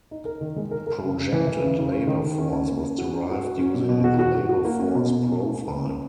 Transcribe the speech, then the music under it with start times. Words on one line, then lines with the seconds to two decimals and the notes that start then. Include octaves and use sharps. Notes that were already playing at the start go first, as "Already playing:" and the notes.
Projected labor Force was derived using the Labor Force Profile.
0.11 D#4
0.25 A#4
0.41 D#3
0.56 G#3
0.71 A#4
0.87 A#4
1.02 C#3
1.17 C#3
1.33 E3
1.47 E3
1.62 C#3
1.77 C#3
1.92 C#4
2.07 D#3
2.23 D#3
2.38 C#4
2.53 C#4
2.68 A#3
2.84 C#4
2.98 F#4
3.13 C#4
3.29 F#4
3.44 F#4
3.59 C#4
3.74 B2
3.89 B2
4.04 F#4
4.19 F#4
4.35 F#4
4.49 F#4
4.65 A#3
4.80 C#4
4.95 B2
5.10 B2
5.26 C#4
5.40 C#4
5.56 C#4
5.71 A#3
5.86 C#4